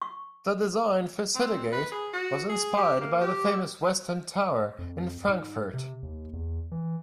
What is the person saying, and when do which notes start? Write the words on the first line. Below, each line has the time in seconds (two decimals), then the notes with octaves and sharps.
The design for City Gate was inspired by the famous Westend Tower in Frankfurt.
0.02 C#6
1.35 C4
1.72 B4
1.92 G#4
2.13 F#4
2.49 G#4
2.77 G4
3.01 A#3
3.21 G4
4.79 F2
5.28 G#2
5.74 C3
6.03 D#2
6.33 E2
6.71 E3